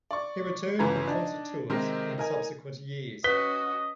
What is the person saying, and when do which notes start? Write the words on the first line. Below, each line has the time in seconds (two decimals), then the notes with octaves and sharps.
He returned for concert tours in subsequent years.
0.11 D5 C#6
0.79 G1 C#3 E3 B4 A#5 G#6
1.07 D4 D#4
1.70 C3 D#3 G#3 C4 A#4
2.18 D#4 A#4 G#5
3.24 C#4 F#4 B4 D#5 B6